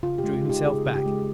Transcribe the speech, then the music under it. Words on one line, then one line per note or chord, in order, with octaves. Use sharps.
Drew himself back.
C#3 F4
G4
G#3
F4
D#4 G4
C#3 G#4
C#3
G4
G#3